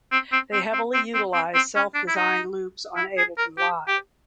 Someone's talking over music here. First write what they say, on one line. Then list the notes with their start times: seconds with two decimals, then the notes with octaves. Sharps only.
They heavily utilize self-designed loops on Ableton Live.
0.12 C4
0.33 C4
0.53 C4
0.73 C4
0.94 C4
1.14 C4
1.34 C4
1.55 C4
1.76 C#4
1.95 D4
2.08 E4
2.16 D#4
2.97 E4
3.18 G#4
3.38 A#4
3.58 G4
3.88 G4